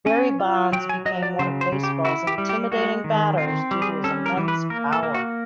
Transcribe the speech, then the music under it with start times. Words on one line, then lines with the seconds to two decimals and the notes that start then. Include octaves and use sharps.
Barry Bonds became one of baseball's intimidating batters due to his immense power.
0.06 C#4 G#5
0.40 F4
0.73 F#3 G5
0.89 G#5
1.06 F#3 D#5
1.23 D5
1.39 C#3 C5
1.61 C5
1.72 C#3
1.83 G4
2.05 E4 F#4
2.27 G4
2.38 G3
2.49 G4
2.72 G#3 F#4
3.04 D#3
3.37 C4 F4
3.71 G3
3.82 G#4
4.04 C#4 A4
4.26 A#4
4.37 E3
4.48 B4
4.70 A#3 A#4
4.93 A4
5.03 A#3
5.14 F#4